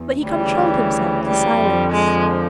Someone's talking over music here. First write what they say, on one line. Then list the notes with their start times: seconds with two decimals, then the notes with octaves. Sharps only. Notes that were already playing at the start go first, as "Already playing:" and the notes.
But he controlled himself to silence.
Already playing: E2
0.25 D2 C#3 E3 G3
1.25 G3
1.57 F2 D3 F3
1.92 G#3